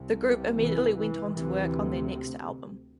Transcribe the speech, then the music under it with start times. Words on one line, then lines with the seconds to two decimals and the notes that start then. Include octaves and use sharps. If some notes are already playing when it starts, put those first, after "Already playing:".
The group immediately went on to work on their next album.
Already playing: C2 C3
0.26 G3
0.61 E3
0.97 E3
1.33 D2 C3 E3